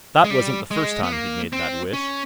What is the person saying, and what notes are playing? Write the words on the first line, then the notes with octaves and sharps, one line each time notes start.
That wasn't the first time he'd made that wish.
G#3
G3
G#3
B3
A#3
C4
C#4